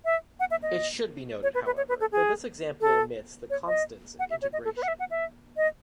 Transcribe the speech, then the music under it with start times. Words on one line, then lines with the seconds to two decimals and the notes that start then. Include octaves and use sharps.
It should be noted, however, that this example omits the constants of integration.
0.05 E5
0.40 F#5
0.51 E5
0.63 D#5
1.43 C#5
1.55 B4
1.66 B4
1.77 C#5
1.89 B4
2.01 A4
2.12 G#4
2.81 A4
3.50 C#5
3.67 D#5
4.19 F#5
4.30 E5
4.42 C#5
4.53 D#5
4.65 A4
4.76 B4
4.83 F#5
4.88 E5
4.99 F#5
5.11 E5
5.57 D#5